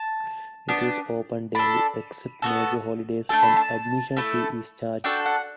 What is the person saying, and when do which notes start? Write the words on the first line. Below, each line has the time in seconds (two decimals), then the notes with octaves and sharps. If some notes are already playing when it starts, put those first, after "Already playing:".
It is open daily except major holidays; an admission fee is charged.
Already playing: A5
0.69 B3 D4 G4
1.55 D4 A4 B5
2.42 B3 F#4 A4
3.29 A3 D4 A4 A5
3.43 B5
3.57 A5
4.16 A3 E4 A4
5.04 D4 F#4 A4 G5
5.26 F#5